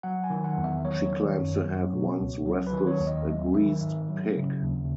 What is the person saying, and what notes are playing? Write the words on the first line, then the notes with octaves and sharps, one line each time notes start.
She claims to have once wrestled a greased pig.
F#3 F#5
G#5
D#3
F#5
E2
E5
F#3 C#5
D#3
F#2
F#3
B2
C#2
F#3
B4
D#3
C#5
D#2
D#5
F#3 E5
D#3 E5
G#2 E5
F#3
C#3
D#2